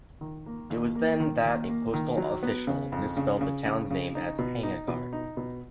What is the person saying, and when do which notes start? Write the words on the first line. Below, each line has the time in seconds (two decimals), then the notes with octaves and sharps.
It was then that a postal official misspelled the town's name as "Henagar".
0.21 D#3
0.46 A#3
0.70 D#2
0.95 A#3
1.20 D#3
1.45 D#2
1.69 A#3
1.94 D#3
2.17 F#3
2.43 B3
2.67 C#3
2.92 F2
3.17 C#3
3.41 C#3
3.66 C#3
3.90 C#3
4.15 D#4
4.39 B2
4.63 D#4
4.88 B2
5.13 D#4
5.37 B2